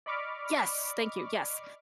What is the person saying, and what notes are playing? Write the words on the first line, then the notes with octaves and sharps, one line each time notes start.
Yes, thank you, yes,
D5 D#5 B5 C#6 D6 F6